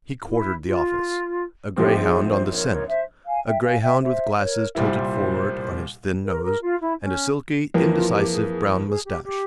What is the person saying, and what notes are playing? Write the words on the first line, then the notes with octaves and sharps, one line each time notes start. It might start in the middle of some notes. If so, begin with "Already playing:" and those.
He quartered the office, a grayhound on the scent; a grayhound with glasses tilted forward on his thin nose, and a silky indecisive brown mustache.
E4
F4
A#1 G#2 F3 C4 G4
G#4
C5
A#4 C#5
A#4 C#5
C5 E5
F5 G#5
E5 G5
F5 G#5
E5 G5
C5 E5
A#4 C#5
C2 A#2 G3 A#3 E4 C5
A#4
A#4
F4
E4
C#4
F2 E3 A#3 F4
F4
G4
G#4
G#4
G#4
G4
G4